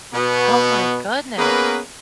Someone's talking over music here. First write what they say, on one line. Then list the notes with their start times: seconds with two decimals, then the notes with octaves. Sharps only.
Oh my goodness.
0.13 B2 B3
1.38 A#3 B3 C#4 G#4 A#4 B4